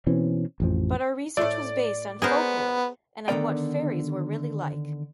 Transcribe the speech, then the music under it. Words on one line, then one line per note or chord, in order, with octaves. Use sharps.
But our research was based on folklore and on what faeries were really like.
B2 E3 C4 C#4
A1 F2 F3
A2 A3 D5
B3 G#4 A#4 C5
D3 D#3 B3 A#4 D5 G5